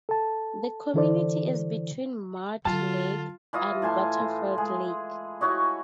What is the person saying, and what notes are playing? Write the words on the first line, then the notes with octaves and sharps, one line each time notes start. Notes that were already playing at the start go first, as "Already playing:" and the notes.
The community is between Mud Lake and Butterfield Lake.
A4 A5
D3 E3 E4 A4 C5 D5
D3 F#3 F4 A5
E3 E4 F4 D#5
A2 G#5 A5 C6
G#3 G#4
E4 F#4 C#5 D#5